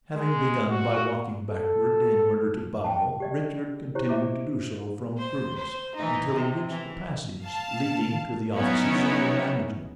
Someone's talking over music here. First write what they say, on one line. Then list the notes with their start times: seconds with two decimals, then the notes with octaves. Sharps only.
Having begun by walking backward in order to bow, Richard continued to do so from prudence, until he reached the passage leading to the offices of the management.
0.15 G#3
0.69 F#4
1.50 A4
2.84 G5 A5
3.20 G4 D5 D#5
3.95 E4 G4 C5 C#5
4.09 D#5 E5 D6
5.18 C5
5.56 C5
5.96 E3 D#4
6.32 C3
6.70 E3
7.41 F5 A5
8.54 F#3 B3 C#4 D#4 E4 C#5